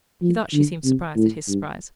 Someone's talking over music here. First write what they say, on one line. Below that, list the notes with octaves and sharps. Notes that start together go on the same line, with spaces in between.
He thought she seemed surprised at his surprise.
F3
D3
C3
A2
G2